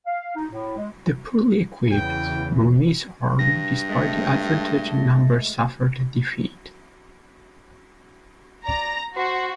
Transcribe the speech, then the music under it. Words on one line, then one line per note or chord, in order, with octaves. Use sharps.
The poorly equipped Burmese army despite the advantage in numbers suffered a defeat.
F5
D#4
A2
G#3
E2 C#3 E3 G5
G2 A#6
G#3 A3
D5 A#5
F#4 C5